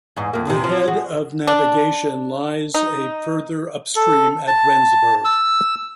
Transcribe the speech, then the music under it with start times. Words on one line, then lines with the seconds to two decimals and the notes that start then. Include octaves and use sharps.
The head of navigation lies a further upstream at Rendsburg.
0.16 E2 G#2
0.33 F2 A#3
0.47 E2 C3
0.64 F3
0.87 F#4 G#4
1.47 D4
2.74 D#4
3.96 A4
4.47 A5
5.25 E6